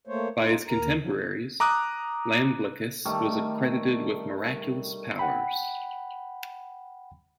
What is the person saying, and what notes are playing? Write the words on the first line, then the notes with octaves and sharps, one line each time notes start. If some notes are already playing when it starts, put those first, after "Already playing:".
By his contemporaries, Iamblichus was accredited with miraculous powers.
A3 A#3 C5 C#5
D#4 F4
D#2 A#4 A#5
F3 F#3
A#5 D6 D#6 F#6
D#3 G3 A3
F#5 G5 B5